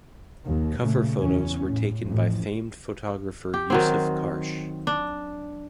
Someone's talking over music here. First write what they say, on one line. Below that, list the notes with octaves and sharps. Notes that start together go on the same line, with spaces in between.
Cover photos were taken by famed photographer Yousuf Karsh.
D#2
A#2 C#3 A3
E2 C#4
A2
A1 F2
G4
D#3 F#3 C4
D4